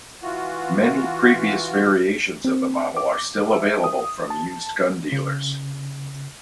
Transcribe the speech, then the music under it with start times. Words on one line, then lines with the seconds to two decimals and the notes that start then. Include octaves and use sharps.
Many previous variations of the model are still available from used gun dealers.
0.22 E3 F4 F#4
2.45 C4
2.97 D6
3.53 E5
3.84 D#6
4.30 A5
5.12 C#3